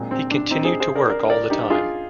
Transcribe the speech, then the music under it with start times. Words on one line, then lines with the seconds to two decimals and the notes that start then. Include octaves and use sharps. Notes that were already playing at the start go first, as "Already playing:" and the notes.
He continued to work all the time.
Already playing: A#2 G#3 C4
0.11 C4
0.31 D4
0.51 C4 D#4
0.65 G#4 C5
0.80 G#4 C5
0.95 A#4 D5
1.10 A#4 D5
1.30 A#4 D5
1.50 D#4 G4
1.70 F4 G#4